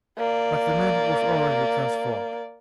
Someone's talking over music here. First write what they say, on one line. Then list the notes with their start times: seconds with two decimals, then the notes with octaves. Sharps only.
But the man was already transformed.
0.17 A#3 D5